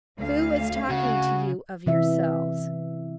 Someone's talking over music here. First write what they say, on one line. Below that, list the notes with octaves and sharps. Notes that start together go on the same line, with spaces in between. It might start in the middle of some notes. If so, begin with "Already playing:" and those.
Who is talking to you of yourselves?
D2 F5
C#3 F#4
C3 E3 E5